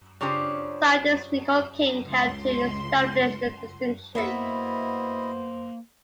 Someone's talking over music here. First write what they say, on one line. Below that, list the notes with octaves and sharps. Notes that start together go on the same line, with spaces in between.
Scientist Nicole King helped to establish the distinction.
C#3 C#4 D4 F4 G4 C5
C#2 C6
A#3 B3 E4 F#4 C5 D#5 E5